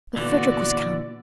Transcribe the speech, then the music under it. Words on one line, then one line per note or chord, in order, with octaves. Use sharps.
But Frederick was come!
A#2 D3 E3 B3 F#4 D5